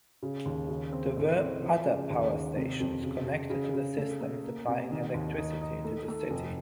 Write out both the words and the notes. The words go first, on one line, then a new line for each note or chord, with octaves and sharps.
There were other power stations connected to the system supplying electricity to the City.
C#3
D#2
C#3
C4
A2
C4
F3
C#3
D#2
D#3
C3
F2
C#3
C#3
C#3
C#3
A3
A3
A#3
C3
D#3
D#2
D#4
D#4
A3
A3
F1